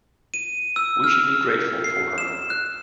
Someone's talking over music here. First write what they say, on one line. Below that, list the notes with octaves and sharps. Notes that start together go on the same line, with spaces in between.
We should be grateful for her.
D#7
E6
F6
C7
E7
F#6